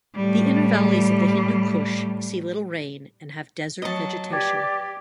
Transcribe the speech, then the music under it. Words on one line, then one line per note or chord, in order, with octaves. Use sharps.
The inner valleys of the Hindu Kush see little rain and have desert vegetation.
A2 G3
F#3 D#5 A5
G4 B4 D5 G5 G#6